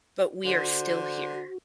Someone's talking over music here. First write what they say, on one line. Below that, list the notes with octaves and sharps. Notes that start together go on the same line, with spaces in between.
But we are still here.
D3 F#4 C5